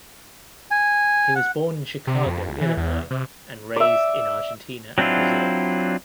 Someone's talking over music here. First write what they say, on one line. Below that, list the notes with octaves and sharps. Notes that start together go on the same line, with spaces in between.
He was born in Chicago, Illinois, and raised in Argentina and Brazil.
G#5
F#5
C3
F2
C#2
E3
E2
C3
D5 E5
F#3 C4 D4 E4 F4